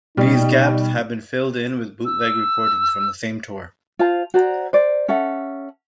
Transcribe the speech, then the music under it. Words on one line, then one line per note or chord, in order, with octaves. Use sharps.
These gaps have been filled in with bootleg recordings from the same tour.
B2 G3 D#4
E6
F4 C5 A5
F#4 C5 D5 A#5
C5 D5
C#4 A4 E5 F#5